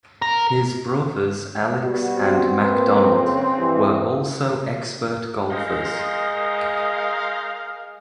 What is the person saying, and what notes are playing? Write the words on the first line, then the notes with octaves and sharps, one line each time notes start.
His brothers Alex and Macdonald were also expert golfers.
A#4
G3 B3 F#4
C4
A#3 B4
C#3
G2 E3
G#3 A#4 F5 C6 D#6 G6 A#6